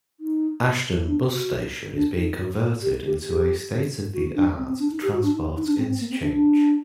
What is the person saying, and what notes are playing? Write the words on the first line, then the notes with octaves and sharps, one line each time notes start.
Ashton Bus Station is being converted into a state-of-the-art transport interchange.
D#4
D4
F#4
D4
D#4
F#4
G4
G4
G4
F#4
D4
C4
C4
D4
D#4
G4
F#4
D4
D#4
D#4
D4
C4
C4
A#3
C4
D4
D4